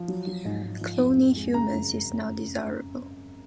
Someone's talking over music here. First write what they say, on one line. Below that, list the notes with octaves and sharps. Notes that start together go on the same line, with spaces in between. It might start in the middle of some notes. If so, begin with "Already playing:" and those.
Cloning humans is not desirable.
Already playing: F3
F#3
F#3
G#2
G#2
F3
F2
F2
G#3
C#3 A#5
F#2